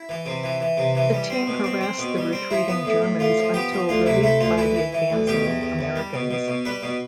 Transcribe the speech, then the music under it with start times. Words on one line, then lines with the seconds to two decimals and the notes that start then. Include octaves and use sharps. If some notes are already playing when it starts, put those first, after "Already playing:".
The team harassed the retreating Germans until relieved by the advancing Americans.
Already playing: E4
0.09 E3
0.26 C3
0.44 E3
0.60 E3
0.77 C3
0.95 E3
1.13 G3
1.30 C4
1.47 B2
1.64 C4
1.81 C4
1.98 B2
2.17 G3
2.33 C4
2.50 F3 E4
2.68 B3
2.85 A2
3.02 A2
3.19 A2 F4
3.37 F3
3.54 B3 G4
3.72 F3
3.89 D2 F4
4.06 C3 E4
4.23 A3 E4
4.41 D2 F4
4.57 E3 E4
4.75 E3
4.93 E3
5.10 D2
5.27 B2 G4
5.45 E2
5.61 E2
5.79 E2
5.96 G3
6.14 B2
6.31 B2
6.48 B2
6.65 G3 B4
6.83 B2